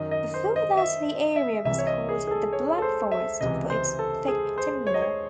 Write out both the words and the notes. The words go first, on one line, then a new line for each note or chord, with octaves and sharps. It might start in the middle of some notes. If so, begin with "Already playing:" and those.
Before that the area was called the "Black Forest" for its thick timber.
Already playing: F#2 D#3 D#5
D#5
C5
D#5
E5
E5
C2 C3 E3 E5
C#5
D#5
G#4
G#4
A4
C#5
A4
C5
E5
C#2 C3 E3 D#5
C5
A4
G#4
C5
C#5
D#5
C#5